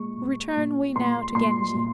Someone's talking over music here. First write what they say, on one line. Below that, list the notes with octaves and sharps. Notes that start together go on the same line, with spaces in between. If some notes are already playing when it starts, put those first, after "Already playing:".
Return we now to Genji.
Already playing: A#2 G#3 C#6
A#2
A#2
A#2 C6
A#2 C6
A#2